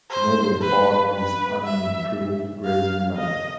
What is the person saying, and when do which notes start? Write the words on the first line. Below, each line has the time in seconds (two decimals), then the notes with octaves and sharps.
The northern part is unimproved grazing land.
0.10 C5
0.62 B4
1.13 B4
1.64 E5
2.65 F5
3.16 D#5